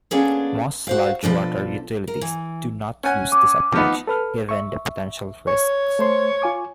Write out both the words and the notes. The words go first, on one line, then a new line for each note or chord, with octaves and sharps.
Most large water utilities do not use this approach, given the potential risks.
A#3 B3 C#4 D4 G#4 A4
F#4 C5 F5
B2 F3 D4 A4
A#4
E3
C#4 F#5 G#5
D6
F3 B3 D#4
A4 B4 F6
E5 C#6
C#5
A3 C5 C6
F4 G#5 D6